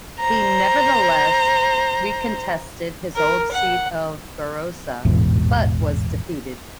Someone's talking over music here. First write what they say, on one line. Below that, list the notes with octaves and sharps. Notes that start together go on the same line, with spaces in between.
He nevertheless recontested his old seat of Barossa, but was defeated.
C5 A#5
A#4
F#5
A1 E2 G#2 B2